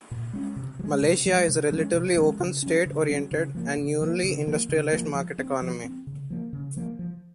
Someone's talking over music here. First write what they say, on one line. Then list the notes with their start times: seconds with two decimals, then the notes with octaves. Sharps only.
Malaysia is a relatively open state-oriented and newly industrialised market economy.
0.11 A#2
0.33 G#3 C#4
0.56 C3
0.79 F3
0.84 G#3
1.02 C3
1.26 F3 G#3
1.48 C3
1.71 F3 G#3 C#4
1.94 C3
2.17 F3 G#3 C#4
2.40 C#3
2.62 F#3 C#4
2.86 C#3
3.09 F#3 C#4
3.31 C#3
3.55 F3 A#3
3.78 C#3
4.01 F3 A#3
4.24 C#3
4.47 F3 A#3
4.69 C#3
4.93 F3 A#3
5.15 F3
5.38 C4
5.62 F3
5.84 C4
6.07 C#3
6.30 F3 A#3
6.53 C#3
6.76 F3 A#3
6.99 F3